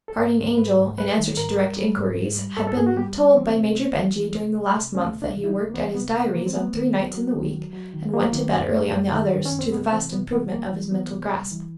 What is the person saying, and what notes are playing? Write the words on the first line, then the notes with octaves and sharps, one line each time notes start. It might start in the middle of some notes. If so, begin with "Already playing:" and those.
Guardian Angel, in answer to direct inquiries, had been told by Major Benjy during the last month that he worked at his diaries on three nights in the week and went to bed early on the others, to the vast improvement of his mental grasp.
A4
G#2 A#4
G#2
G#2 B4
G#2
G3 B4
D#3
G#2 A#4
G3
G3
G#2
G#2
G3
G#2 A4
A4
G#2 G#4
F#4
G3 G4
G3
E3 C4
C3
A3
E3
E3
C3
A3
C3
A3 C#4
C3
D4
E3
E4
D#4
C3
A#3
E3 B3
C3 B3
C3 A#3
E3 A#3
C4
A3 B3
D#3
F#3
F#3
D#3
F#3
F#3
D#3
F#3 A#3
D#3
F#2
A3
F#2
D#3
D#3
C#4
F#2
C4
C3 B3
E3 C4
C3 B3
E3 B3
G3 A#3
E3
E3 B3
C3
G3
E3